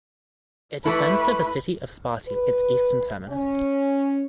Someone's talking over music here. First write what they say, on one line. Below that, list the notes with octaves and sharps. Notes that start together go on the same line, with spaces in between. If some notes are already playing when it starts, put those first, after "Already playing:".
It descends to the city of Sparti, its eastern terminus.
E3 A3 E4 B4
B4
C#4